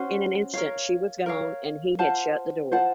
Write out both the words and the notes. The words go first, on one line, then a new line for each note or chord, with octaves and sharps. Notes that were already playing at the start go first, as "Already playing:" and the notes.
In an instant she was gone, and he had shut the door.
Already playing: C#4 F#4 C5
A#4 C#5 F5
A#4 C#5 F5
F4 C5 F#5 A5
F4 C5 F#5 A5